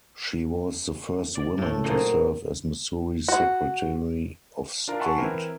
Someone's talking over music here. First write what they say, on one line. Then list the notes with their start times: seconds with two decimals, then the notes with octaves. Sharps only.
She was the first woman to serve as Missouri Secretary of State.
1.35 D5
1.58 A2 A3
1.84 F#2 A#2 C4 D#4 G#5
3.28 F#4
4.88 D4 F4 A#4
5.00 E5 F#5 G#5 A5 C6 C#6
5.18 E3 C4 E4 A#4